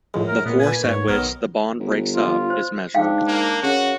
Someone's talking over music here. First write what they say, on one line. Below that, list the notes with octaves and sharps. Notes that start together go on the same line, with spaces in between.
The force at which the bond breaks up is measured.
C#2 F#2 A2 F3 G#3
A#4
A#2 B3
A#3 D4 B4 G#5
G#2 C#5
B1 D#3 F#3 B3 A#4
G1
F4
C5
G#2 D4 F5 G5
A#3
C#3 F#4 A#4